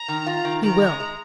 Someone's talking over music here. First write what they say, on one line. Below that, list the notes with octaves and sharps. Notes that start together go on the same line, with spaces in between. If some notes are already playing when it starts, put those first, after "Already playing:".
"You will."
Already playing: A#5
D#3
F4
D#3
D#3 A#5
G#3
G#3